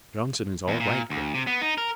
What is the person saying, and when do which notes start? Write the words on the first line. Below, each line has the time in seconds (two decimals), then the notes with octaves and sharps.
"Johnson is all right, Gregg."
0.68 E2
0.80 A#2
1.10 D2
1.34 C3
1.47 B3
1.62 D#4
1.78 A#4